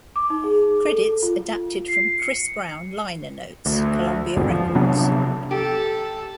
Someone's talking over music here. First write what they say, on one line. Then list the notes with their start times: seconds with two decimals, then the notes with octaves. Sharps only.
Credits adapted from "Chris Brown" liner notes, Columbia Records.
0.16 D6
0.30 D#4
0.44 G#4
0.86 A4
1.23 F4
1.88 C7
2.19 C#7
3.66 D2
4.37 F2 G#2 B2 D3
4.50 F3
4.75 C3 F#3 B3 D4
5.51 G4 A4